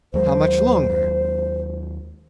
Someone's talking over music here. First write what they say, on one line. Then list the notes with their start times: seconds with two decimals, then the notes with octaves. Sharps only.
How much longer?
0.14 D#2 F#3 G#3 C5